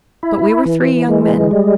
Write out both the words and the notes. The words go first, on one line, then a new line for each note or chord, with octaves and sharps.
But we were three young men.
E4
E3
G#3
G3